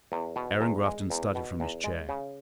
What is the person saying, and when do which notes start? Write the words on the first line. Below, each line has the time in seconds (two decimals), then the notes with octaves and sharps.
Aaron Grafton started from his chair.
0.12 E2
0.36 B2
0.61 E2
0.86 G#3
1.10 E2
1.35 B2
1.60 E2
1.84 G#3
2.09 C#3